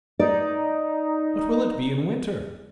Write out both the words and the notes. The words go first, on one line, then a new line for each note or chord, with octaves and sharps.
"What will it be in winter?"
D#4 D5